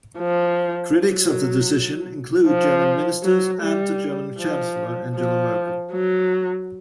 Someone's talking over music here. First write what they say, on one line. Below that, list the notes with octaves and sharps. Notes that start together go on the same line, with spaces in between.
Critics of the decision include German Ministers and the German Chancellor Angela Merkel.
F3
F#3
F3
F#3
G3
F3
F3
F#3